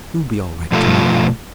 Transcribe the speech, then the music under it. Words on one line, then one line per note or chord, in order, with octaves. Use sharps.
"You'll be all right tomorrow."
B2 F3 A3 F4 A4